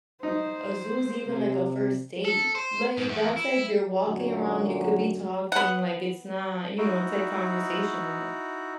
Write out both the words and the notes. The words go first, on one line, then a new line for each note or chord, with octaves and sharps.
"A zoo's even like a first date." Like that's like, you're walking around, you could be talking, like it's not, you know, it's like conversational.
D#4 C5
C3
A4
C5
G#2
E2
E4
F#2 A#2 D3 F#3
B3 F#5
D#4 E4 F#4